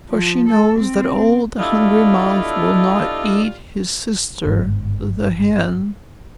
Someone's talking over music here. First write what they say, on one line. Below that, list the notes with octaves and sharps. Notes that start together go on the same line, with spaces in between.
For she knows that old Hungry-Mouth will not eat his Sister, the Hen.
F3
A4
C4
B2 G3 D4 E4 F4 A4 D#5
G1 G#2